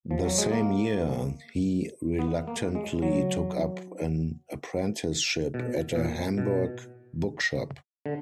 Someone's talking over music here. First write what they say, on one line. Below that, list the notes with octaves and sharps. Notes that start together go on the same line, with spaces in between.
The same year he reluctantly took up an apprenticeship at a Hamburg bookshop.
F3
F#3
G#3
A#3
B3
A#3
G#3
F#3
B2
A#2
B2
D3